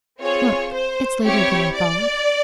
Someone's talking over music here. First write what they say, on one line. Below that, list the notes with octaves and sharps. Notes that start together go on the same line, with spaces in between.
'Look! it's later than I thought.
C4 F4 G#4 C#5
C5
C4 E4 G4 C#5
D5